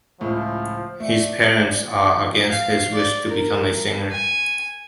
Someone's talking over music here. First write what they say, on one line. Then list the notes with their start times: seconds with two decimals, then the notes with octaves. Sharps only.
His parents are against his wish to become a singer.
0.21 C#2 A2 F3
1.00 A3 D5
1.43 A6
2.48 F5
2.92 D5
3.28 A#4
4.11 G#5